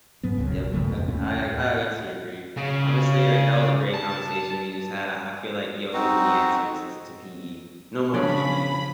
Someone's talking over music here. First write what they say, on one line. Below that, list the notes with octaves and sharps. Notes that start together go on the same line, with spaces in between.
yep, I I I I honestly, agree. Honestly, like, that was a great conversation we just had, I I feel like yoga’s the answer to s to PE. No more PE.
G#2 F#3 B3
E1 C#2 F#2 C#3
B1
G2 C#3 F3 A3
F2 C3
D#2 A2 A3 C#4
C#3
A5
C4 D#4 F#4
C#3 F3 C#4 D4 D5 B5